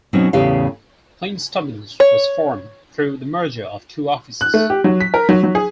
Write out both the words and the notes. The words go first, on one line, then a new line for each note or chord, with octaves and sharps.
KlingStubbins was formed through the merger of two offices.
B2 F#3 C4 C#4 D#4
E2 A2 C#3 G4 B4 F5
C#5
F#6
A3
G4
F#3
B6
A#4
F#3
F#3
G#4